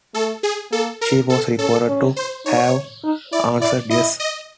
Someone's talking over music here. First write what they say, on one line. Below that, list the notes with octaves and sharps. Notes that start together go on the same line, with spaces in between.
She was reported to have answered "Yes".
A3 A4
G#4
A#3 A4
A#4
B3 A4
C#4 A4
C#4
C5
D#4 C#5
D#4
E4 D5
E4 D5
E4 D#5
D#5